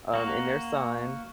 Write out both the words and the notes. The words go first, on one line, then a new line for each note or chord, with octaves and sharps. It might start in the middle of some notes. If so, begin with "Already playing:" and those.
um, and their son,
A#3 F#4